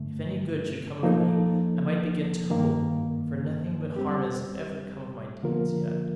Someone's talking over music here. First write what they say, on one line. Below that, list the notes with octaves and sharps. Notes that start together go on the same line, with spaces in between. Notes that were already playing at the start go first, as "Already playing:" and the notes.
If any good should come of me, I might begin to hope; for nothing but harm has ever come of my deeds yet.
Already playing: G2 D3 A3
F3 A#3 D#4 A4
G2 D#3 A#3
G3 C4 G4
D3 F3 A#3 F4 A#4